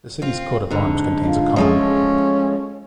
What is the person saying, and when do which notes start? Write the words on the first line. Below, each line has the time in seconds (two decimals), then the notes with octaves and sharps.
The city's coat of arms contains a comb.
0.22 C4 F4
0.70 G#2 D3
1.26 F4
1.56 F3 G#3 A3 C#4